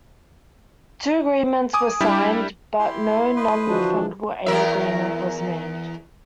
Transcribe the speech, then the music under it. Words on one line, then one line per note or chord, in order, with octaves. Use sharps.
Two agreements were signed, but no non-refundable aid agreement was made.
G#5 D6 D#6
G3 D4 E4 G4
E4 G4 C6
B4 C5 D#5
D3 E3 F3 D4 F#4
E2 A#4 E5